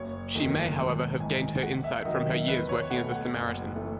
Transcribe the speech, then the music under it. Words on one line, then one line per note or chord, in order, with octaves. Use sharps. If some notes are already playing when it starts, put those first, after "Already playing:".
She may however have gained her insight from her years working as a Samaritan.
Already playing: F#1 C#5
E2 D#3 F#3 A3
G#1
G#2 E3 G#5
D#2 F#5
E5
D#3 F#3 D#5
E5
E2 B4
C#5
B2 A3 F#5
F#5
F#1
E3 A3